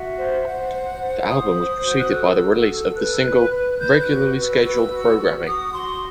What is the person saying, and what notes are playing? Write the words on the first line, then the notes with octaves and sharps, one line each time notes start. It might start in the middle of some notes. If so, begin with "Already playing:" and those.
The album was preceded by the release of the single "Regularly Scheduled Programming".
Already playing: F#4 E5
C5
C5 F#5
C5
C5
C5 D#6
C5
F#4 G6
F#6
A4 E6
F#4
A4
B4 F#6
B4
B4
B4 G6
F#6
F#4
B4
E6
F#4 E6
F#4
F#4
F#4 D#6
F#4 C6